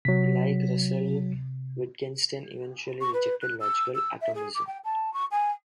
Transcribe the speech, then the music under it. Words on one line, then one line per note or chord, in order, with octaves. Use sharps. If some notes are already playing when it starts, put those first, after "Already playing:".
Like Russell, Wittgenstein eventually rejected Logical Atomism.
C3 F#3 B6
C#6
B4
F#6
E6
E6
E5
G#4
D6
G5
A5
C#6
G#5